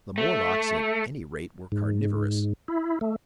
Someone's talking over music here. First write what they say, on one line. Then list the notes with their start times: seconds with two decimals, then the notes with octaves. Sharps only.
The Morlocks at any rate were carnivorous!
0.18 A3
1.72 G#2
2.68 E4
3.01 A3